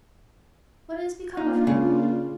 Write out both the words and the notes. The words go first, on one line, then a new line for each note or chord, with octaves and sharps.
"What has become of him?"
A#3 D4 D#4 F4
C#3